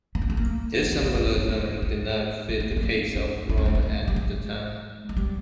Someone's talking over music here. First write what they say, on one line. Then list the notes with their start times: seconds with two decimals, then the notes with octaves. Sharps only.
This symbolism did not fit the case of Rome at the time.
0.15 B3
0.22 A#3
0.30 A3
0.37 A#3
0.82 B3
0.93 C#4
1.04 C4
1.15 B3
1.26 A#3
1.38 D4
1.49 B3
1.82 B3
2.49 A#3
2.60 A3
2.71 A#3
2.77 C#4
2.83 C4
3.16 C#4
3.50 D4
3.58 C#4
3.66 C4
3.75 B3
3.83 A3
4.08 G3
4.16 G#3
5.09 G#3
5.17 G3